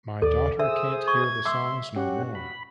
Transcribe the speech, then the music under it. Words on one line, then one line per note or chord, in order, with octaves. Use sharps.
My daughter can’t hear the songs no more.
D#2 A4 D5
G#4 C5 E5 D#6 E6
C#6 G#6
E5 C6 D6 E6
C#4 F#4 G4 F#5
B5